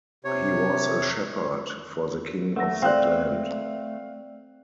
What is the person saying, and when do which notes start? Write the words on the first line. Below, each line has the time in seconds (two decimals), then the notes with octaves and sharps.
He was a shepherd for the king of that land.
0.25 C3 C#5
2.56 A3 F#5 E6 A#6
2.82 C4 D5 F5 G5 F#6